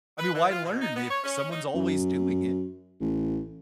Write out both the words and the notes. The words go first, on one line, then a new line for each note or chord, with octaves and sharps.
I mean, why learn if someone's always doing it?
B4
E3
F4
B2
D#4
B3
C#5
C#4
D#4
F#2
A1